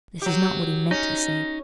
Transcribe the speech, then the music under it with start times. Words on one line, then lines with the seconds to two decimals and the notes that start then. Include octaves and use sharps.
This is not what he meant to say.
0.22 F#3 G4
0.91 C#4 D#4